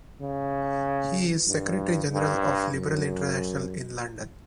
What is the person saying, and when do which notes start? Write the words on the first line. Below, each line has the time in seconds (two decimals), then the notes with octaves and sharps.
He is secretary-general of Liberal International in London.
0.22 C#3
1.48 G2
2.12 G2
2.75 F#2